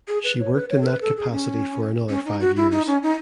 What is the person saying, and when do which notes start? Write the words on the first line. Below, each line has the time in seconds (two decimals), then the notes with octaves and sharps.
She worked in that capacity for another five years.
0.08 G#4
0.24 B4
0.40 C#5
0.54 B4
0.70 C#5
0.82 A4
0.86 B4
1.02 A4
1.17 G#4
1.32 C#4
2.09 C#4
2.25 D#4
2.40 F#4
2.57 E4
2.71 D#4
2.87 C#4
3.03 D#4